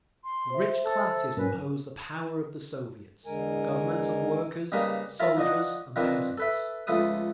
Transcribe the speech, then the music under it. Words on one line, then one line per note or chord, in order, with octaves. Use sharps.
The rich classes oppose the power of the Soviets--the Government of workers, soldiers and peasants.
C6
C5 E5
A4
G#2 F#3 C#4 A#4 B4 G#5
E2 D3 G#3 A#4 G#5
C#3 G3 A#3 D#4 A#4 B4
E4 F4 A#4 E5 A5
F3 D4 D#4 D#5 F#5
D#3 F3 C4 D4 A#4 B4
A4 B4 E5
C#2 F3 A3 A4 B4 D#6